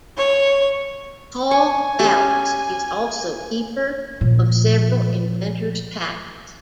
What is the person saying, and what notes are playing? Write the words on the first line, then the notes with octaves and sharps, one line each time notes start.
Paul Bouts is also keeper of several inventor's patents.
C#5
G#5 C#6
C#4 G4
A#2 F3